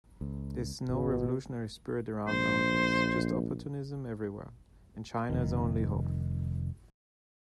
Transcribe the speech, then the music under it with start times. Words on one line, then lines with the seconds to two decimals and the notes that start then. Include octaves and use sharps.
There's no revolutionary spirit around nowadays, just opportunism everywhere" and "China's our only hope.
0.21 C#2
0.89 G#1 G#2 B2
2.28 A#1 C5
5.30 F1 D#3